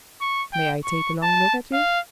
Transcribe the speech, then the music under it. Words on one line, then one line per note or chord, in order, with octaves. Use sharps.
"May I take a long look at you?"
C#6
G5
C#6
A5
F5